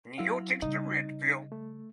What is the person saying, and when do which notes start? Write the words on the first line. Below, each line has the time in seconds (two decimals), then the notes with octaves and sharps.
Neo takes the red pill.
0.18 F#3 E4 F5
0.62 C#3 G3 D#4 D#5
1.52 A3